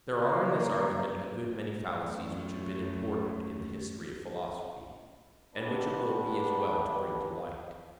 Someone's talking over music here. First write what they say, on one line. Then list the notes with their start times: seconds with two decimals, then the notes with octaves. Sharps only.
There are in this argument a good many fallacies which have been important in the history of philosophy, and which it will be as well to bring to light.
0.13 C#3 A#3
2.03 F#2 A3
5.55 G#1 G2 B3 D4 G4 B4